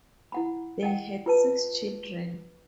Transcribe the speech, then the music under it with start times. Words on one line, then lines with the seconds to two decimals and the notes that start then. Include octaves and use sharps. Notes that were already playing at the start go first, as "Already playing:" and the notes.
They had six children.
0.32 E4 F#5 B5
0.83 D#5 F#5 G5
1.26 F4 B4 A5